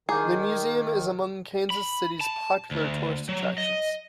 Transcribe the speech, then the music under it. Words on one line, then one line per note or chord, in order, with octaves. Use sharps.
The museum is among Kansas City's popular tourist attractions.
D#3 G#4 A#5 D6 G6
B5
A5
D2
F#3
D#5